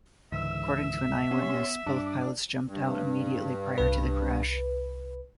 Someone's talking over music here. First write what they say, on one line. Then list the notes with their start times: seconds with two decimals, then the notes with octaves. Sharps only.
According to an eyewitness, both pilots jumped out immediately prior to the crash.
0.32 C#2 G#2 D3 E3 E5 E6
1.31 B3 C#4 G4 C6
1.86 G2 D4 D6
2.66 G2
3.78 C2 B4